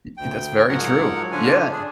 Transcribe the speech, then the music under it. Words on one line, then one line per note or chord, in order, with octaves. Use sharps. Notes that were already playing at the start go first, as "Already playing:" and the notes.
Y y that's very true, yeah.
D2 G5
G#2 F3 F#3 A#4 C#5 F#5
D3 C#4 D4 F4 G#5
D4 G#4